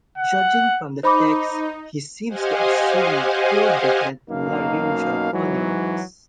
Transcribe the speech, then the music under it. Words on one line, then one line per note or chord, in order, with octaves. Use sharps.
Judging from the text, he seems to assume four different laryngeal phonemes.
F#5
D#4 C5 B5 D6
G4 C5 D#5 F5 F#5 G#5
F#2 B2 A#3 D#4 F5
G#2 E3 F#3